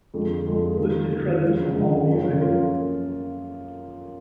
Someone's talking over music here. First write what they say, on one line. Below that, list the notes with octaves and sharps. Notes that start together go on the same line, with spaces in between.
Listed credits from AllMusic.
F2 D3 G#3
F2 D3 G#3
F2 D#3 A#3
F2 D#3 A#3
F#2 F3 G#3 D4
F#2 F3 G#3 D4
F#2 F3 A#3 F4
F#2 F3 A#3 F4